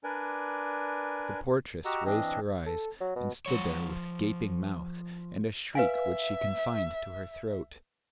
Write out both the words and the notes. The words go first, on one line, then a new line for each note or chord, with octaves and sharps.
The portress raised her eyes, and stood there with gaping mouth, and a shriek which she confined to her throat.
D4 A#4 B4 D5 G#5
F#4 G4 D#5 F#5 A#5 E6
E3 C4 D4 D#5
A4
F#3
B2
F3 C#5
B4 E5 F5 G#5